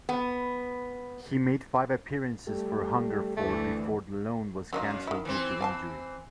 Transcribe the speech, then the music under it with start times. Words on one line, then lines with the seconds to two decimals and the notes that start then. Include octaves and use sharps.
He made five appearances for Hungerford before the loan was cancelled due to injury.
0.09 B3
2.47 G3 A3
3.37 D2 E3 A3
4.73 F#2 F#3 A#3 D#4
5.07 D#3 E4
5.25 E3 C4
5.61 F5 G#5 A5